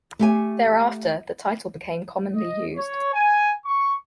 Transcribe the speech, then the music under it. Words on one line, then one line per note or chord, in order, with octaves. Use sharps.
Thereafter, the title became commonly used.
A3 G4 G#5
D#5
C#5
G#5
C#6